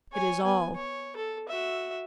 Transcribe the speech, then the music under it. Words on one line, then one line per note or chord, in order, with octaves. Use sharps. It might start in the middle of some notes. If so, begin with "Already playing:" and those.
It is all.
C#5 G#5
B3 G#5
C#5
A4
F#4 E5